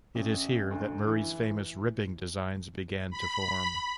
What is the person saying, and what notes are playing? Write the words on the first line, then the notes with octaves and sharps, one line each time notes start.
It is here that Murray's famous ribbing designs began to form.
A1
D2
E3
B5